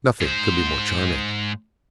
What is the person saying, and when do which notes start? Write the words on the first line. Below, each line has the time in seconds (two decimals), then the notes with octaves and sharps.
Nothing could be more charming.
0.21 G#2 C5